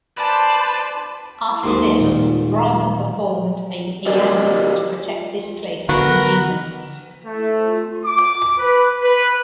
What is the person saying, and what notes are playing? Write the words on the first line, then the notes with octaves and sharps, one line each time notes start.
After this Brahma performed a yagna to protect this place from demons.
B4 C5 D5 A5
D#2 G#2 G#4 C6 D#6
A#2 D#3 G3
F#4 G4 A#4 D5 D#5
D3 B3 F#4 A#4
A3
D6
B4
B4